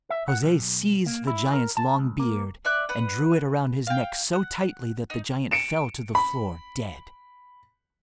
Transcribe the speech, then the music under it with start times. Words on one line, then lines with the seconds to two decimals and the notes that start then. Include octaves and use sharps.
Jose seized the giant's long beard and drew it around his neck so tightly that the giant fell to the floor dead.
0.10 E5
0.28 F#5
0.43 B1
1.06 A#3
1.27 E4
1.53 A#4
1.77 A5
1.99 C#2
2.20 A#3
2.65 D5 E5 F#6
2.89 B4 F#5
3.87 F5 G5
4.33 F#5
5.10 D#4
5.51 C#7 D7 E7
6.15 B5